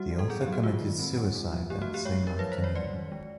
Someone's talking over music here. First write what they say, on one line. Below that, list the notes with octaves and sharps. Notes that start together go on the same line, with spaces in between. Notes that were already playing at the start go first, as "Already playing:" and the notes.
The author committed suicide that same afternoon.
Already playing: G3 F#4
D#3
A4
B3 G#4
F#3 G4
F#4
G#3 F4
D#3
C4
G3
A3
F3
A3 G4
F#4
E3
G4
G#3 C#5
F3 A#4
F#3 B4
C5
D#3
C#5
G3 D5
D#3
G#3